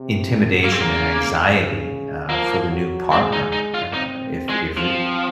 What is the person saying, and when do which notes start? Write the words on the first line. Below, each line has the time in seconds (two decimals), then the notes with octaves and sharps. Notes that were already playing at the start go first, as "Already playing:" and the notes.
intimidation and anxiety, uh, for the new partner, uh, if if you're
Already playing: C3
0.64 C#3 A#3
0.72 C4
0.81 A#3
1.48 C#3
2.29 F3 A#3
2.71 F#3
3.12 G#3 C4
3.33 D#4
3.52 D#4
3.74 F4
3.94 C4 D#4
4.49 G#3
4.77 F3 C4